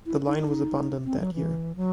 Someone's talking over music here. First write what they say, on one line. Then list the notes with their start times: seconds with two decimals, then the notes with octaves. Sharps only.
The line was abandoned that year.
0.06 E4
0.27 D#4
0.38 D#4
0.49 D#4
1.05 C4
1.20 F#3
1.34 E3
1.76 F#3